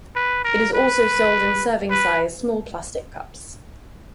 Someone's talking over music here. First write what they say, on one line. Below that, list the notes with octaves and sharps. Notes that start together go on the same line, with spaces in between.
It is also sold in serving-size small plastic cups.
B4
A#4
B4
B4